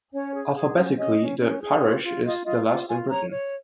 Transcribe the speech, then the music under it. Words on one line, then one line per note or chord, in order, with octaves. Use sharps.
Alphabetically, the parish is the last in Britain.
C#4 C#5
G#4
G#4
C#4
C#4 D#5
C#4
C#4
G#4
F4 C#5
F4
F4 D#5
F4 D#5
F4
F4 G#5
C#5 A#5
C#5